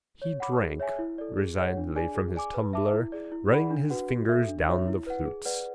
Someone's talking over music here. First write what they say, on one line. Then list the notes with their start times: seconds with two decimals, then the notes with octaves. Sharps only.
He drank resignedly from his tumbler, running his fingers down the flutes.
0.22 C#5
0.40 F#5 B5 D6
0.60 G#4
0.80 C#5 E5 G#5
0.99 E4
1.18 A4 D5
1.38 G#4
1.57 C#5 F#5
1.77 D4
1.95 G#4 D5 G#5
2.16 G#4
2.35 D5 G#5 D6
2.54 B4
2.73 E5 A5 D6
2.94 E4
3.12 G#4 D5
3.32 E4
3.51 G#4 D5 F#5 B5
3.70 D4
3.90 F#4 B4 F#5
4.09 F#4
4.29 A4 E5
4.48 D4
4.68 F#4 C#5 E5
4.88 E4
5.07 B4 F#5
5.25 G#4
5.45 B4 D5 F#5